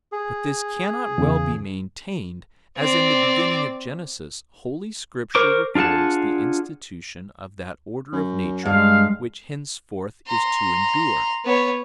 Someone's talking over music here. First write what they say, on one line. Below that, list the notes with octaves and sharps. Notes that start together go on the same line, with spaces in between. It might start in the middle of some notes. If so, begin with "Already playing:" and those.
But this cannot well be maintained, as in the beginning of Genesis Holy Scripture records the institution of that order of nature which henceforth is to endure.
G#4
E2 C#3
C4 D5
A#4 C5 C#6 D6
D4 F4 G#4 F#5 A5
F#2
G2 G#3 F5
A#5 C6
B3 C#5